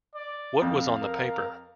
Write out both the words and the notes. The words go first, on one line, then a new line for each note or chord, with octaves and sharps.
What was on the paper?
D5
F2 F5
A#4